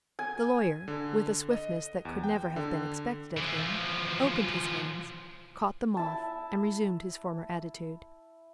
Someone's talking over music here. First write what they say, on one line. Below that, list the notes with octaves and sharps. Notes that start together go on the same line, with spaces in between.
The lawyer, with a swiftness that could never have been expected of him, opened his hands, caught the moth, and resumed his former attitude.
G#5
D3
D#5
E2
G5
D3
E3 F3
E4 A5